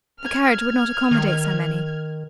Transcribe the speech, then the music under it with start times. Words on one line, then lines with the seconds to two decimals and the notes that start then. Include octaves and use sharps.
The carriage would not accommodate so many.
0.20 F6 G#6
1.11 D#3